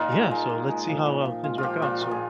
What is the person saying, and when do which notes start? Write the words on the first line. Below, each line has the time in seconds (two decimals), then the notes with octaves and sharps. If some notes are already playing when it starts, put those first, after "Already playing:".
Yeah, so let's see how our things work out, so
Already playing: A#2 A#3 D#4 F4
0.12 G#3
0.31 G#3
0.50 A#2
0.68 G#3
0.87 F3
1.06 A#2
1.25 A#2
1.44 G#3 F4
1.58 F4
1.63 F3 G4
1.82 A#2 F4
2.01 A#2 F4
2.11 G#4